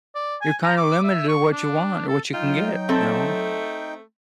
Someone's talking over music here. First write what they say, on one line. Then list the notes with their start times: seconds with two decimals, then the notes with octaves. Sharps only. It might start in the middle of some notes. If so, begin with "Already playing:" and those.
you're kind of limited to what you want or what you can get. You know
0.15 D5
0.41 G#5
0.63 A#5
0.77 D6
1.04 E5
1.29 C#6
1.51 D4
2.07 A4
2.34 F#3 D#4 F4 G5
2.89 A3 C4 A4